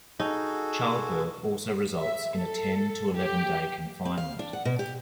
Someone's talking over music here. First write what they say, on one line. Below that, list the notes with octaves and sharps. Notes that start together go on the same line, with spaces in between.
Childbirth also results in a ten to eleven-day confinement.
D#4 F#4 G#4 A4
E5
A4
G4
C4
F5
D4
F#5
B2
G4